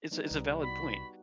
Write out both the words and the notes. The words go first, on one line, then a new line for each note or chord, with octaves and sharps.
It's a it's a valid point.
G3 B3 D#4
C2 G3
F#4 B5